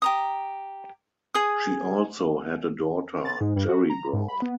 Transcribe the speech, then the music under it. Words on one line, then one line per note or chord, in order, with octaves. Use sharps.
She also had a daughter, Jeri Brown.
G4 A#5 D#6
G#4 D#6
A6
G#2
G2
F#4
A#5
G#2
B5
B3